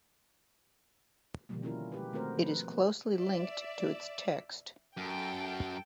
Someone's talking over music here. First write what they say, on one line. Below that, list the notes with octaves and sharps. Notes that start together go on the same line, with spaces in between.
It is closely linked to its text.
B2 D3 D#3 F3 G3 A#3
A#3 C#4 E4 F4 A#4
G#3 G4 B4
D#3 A3 C4 F#4 A#4 C5
F3 B4
A#3
D5 E5
F#2 A4 G5